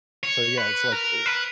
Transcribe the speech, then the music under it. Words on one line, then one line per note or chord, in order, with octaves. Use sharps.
so, yeah, it's, like, eh,
C#5
B4
A#4
B4